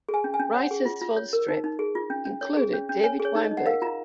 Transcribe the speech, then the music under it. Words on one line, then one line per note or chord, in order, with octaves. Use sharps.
Writers for the strip included David Weinberger.
G#4
G#5
C#4
G#5
C#4
C#5 F#5
G#4
F4
F4
C#5
A#4
D#4
D#4
G#4
F4
C#4
C#4
C#5
G#4
C#4
C#4
C#5 G#5
G#4
C#5
D#4 C#5
D#5
D#4
F#5
A#4 F5
F4 A#5